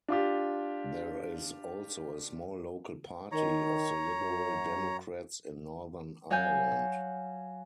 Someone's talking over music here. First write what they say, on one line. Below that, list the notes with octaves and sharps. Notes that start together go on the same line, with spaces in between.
There is also a small local party of the Liberal Democrats in Northern Ireland.
D4 F4 G4
D#3 C#5 A#5
F#2
F#3 C#5 F5 G#5 G6